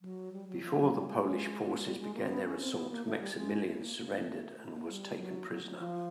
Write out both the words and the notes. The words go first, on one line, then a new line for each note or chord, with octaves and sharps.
Before the Polish forces began their assault, Maximilian surrendered and was taken prisoner.
F#3
G3
F#3
F3
F#3
G3
G#3
G3
G#3
A#3
C4
B3
C#4
C4
B3
A#3
A3
G3
G#3
A3
B3
A#3
A#3
A3
G3
F#3
F#3
F#3
F3